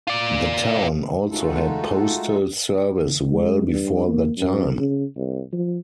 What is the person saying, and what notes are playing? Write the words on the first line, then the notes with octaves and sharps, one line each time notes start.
The town also had postal service well before that time.
F4 D5
G#3 A3 D#4 F4 F#4 A4
G#3
G2
A#3
F#2
C#3
C2
F3